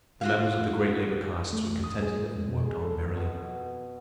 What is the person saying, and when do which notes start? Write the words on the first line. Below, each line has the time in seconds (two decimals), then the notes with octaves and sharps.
The members of the great labor castes were contented and worked on merrily.
0.21 F4 F#4 F5
1.53 A3
1.70 E2
1.84 D#6
2.02 G#4
2.20 G#2
2.32 G#3
2.48 B2
2.66 G#4
2.81 A4
3.17 B2